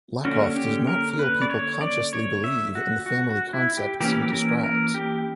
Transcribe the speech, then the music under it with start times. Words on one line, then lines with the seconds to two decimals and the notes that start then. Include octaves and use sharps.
Lakoff does not feel people consciously believe in the family concepts he describes.
0.25 D3 A#3 C#4 F#4
0.56 G4
0.87 A#4
1.19 B4
1.42 D5
1.50 C#5
1.81 D5
2.13 C#5
2.44 E5
2.75 F#4
3.06 F#4
3.29 F#4
3.53 E4
3.77 G4
4.00 E3 A#3 C#4 G4
4.22 G4
4.32 A#4
4.63 A#4
4.94 G4